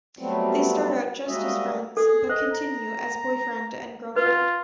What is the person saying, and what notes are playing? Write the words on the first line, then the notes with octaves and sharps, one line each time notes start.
They start out just as friends, but continue as boyfriend and girlfriend.
F#3 G3 A3 B3 C4
G3 G#3 A#3 F#4 D#5 E5
G#4 A4
C5 D#5
A#5
F4 B4